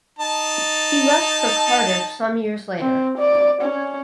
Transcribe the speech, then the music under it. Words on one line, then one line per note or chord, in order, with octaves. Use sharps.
He left for Cardiff some years later.
D#4 A5
C4
D5
C#4